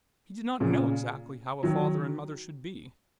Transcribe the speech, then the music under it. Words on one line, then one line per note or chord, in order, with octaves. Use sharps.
He did not know exactly how a father and mother should be.
A#2 C#3
D#3 F#3